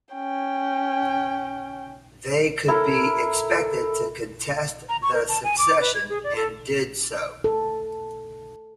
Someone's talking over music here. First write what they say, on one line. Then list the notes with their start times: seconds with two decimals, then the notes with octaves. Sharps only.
They could be expected to contest the succession, and did so.
0.14 C#4 G5
2.68 E4 A4 A#4
4.89 A#5
5.02 C#6
5.14 A#4
5.28 A5
5.44 G#5
5.58 D6
5.81 B4
5.95 G#6
6.09 G#4
6.24 D5
6.36 A4
7.44 A4